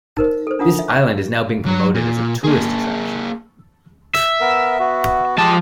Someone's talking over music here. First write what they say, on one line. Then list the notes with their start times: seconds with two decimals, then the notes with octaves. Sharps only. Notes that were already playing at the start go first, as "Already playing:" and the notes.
This island is now being promoted as a tourist attraction.
0.17 D#4 A#4 C5
0.47 A4 C5
0.59 D4 F4 F#5 D#6
0.79 E5
1.66 F#3 C#5
1.94 A#2
2.44 A#3 G#4
4.15 E5
4.40 B3 A#4
4.79 B3 F#4
5.38 F3 G#3 G4 D#5 A5